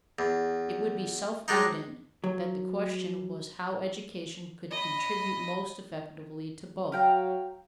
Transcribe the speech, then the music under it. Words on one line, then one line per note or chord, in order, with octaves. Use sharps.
It would be self-evident that the question was how education could contribute most effectively to both.
E2
G#3 D4 D#4
F#3
D#5 B5
F#3 F5 G5 A#5